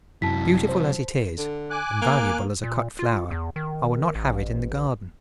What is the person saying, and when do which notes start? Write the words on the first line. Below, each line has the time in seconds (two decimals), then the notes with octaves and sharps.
Beautiful as it is, and valuable as a cut flower, I will not have it in the garden.
0.22 F#2 C3 F#3 E4 A5 B6
0.69 C5
1.39 D3
1.71 G#5 D6 F#6
2.02 A#3
2.64 A#2
2.99 F4
3.31 E2
3.56 D#3
4.15 A1